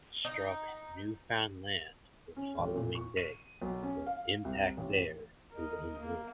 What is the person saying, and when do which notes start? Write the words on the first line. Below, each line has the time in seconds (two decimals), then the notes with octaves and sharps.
It struck Newfoundland the following day, but impact there is unknown.
0.25 D#4
2.36 C#4
2.58 A1
2.75 A#2
2.95 C#6
3.17 D#7
3.62 B1
3.83 C#4
4.06 F5
4.45 C2
4.77 A1
5.52 A#4 D#5
5.99 A#3